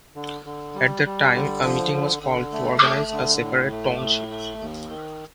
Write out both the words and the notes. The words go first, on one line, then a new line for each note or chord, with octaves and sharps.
At that time a meeting was called to organize a separate township.
D3
D3
G3
G3
D3
F3
D3
D3
A3
A3
D3
A2
A3
A2
A3
D#2
D#3